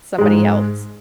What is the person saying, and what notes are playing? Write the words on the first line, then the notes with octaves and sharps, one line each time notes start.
somebody else
G#2 G#3